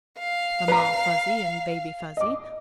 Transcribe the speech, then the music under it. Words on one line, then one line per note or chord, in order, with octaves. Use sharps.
Mamma Fuzzy, and Baby Fuzzy.
F5
B4 A#5
D#5 D6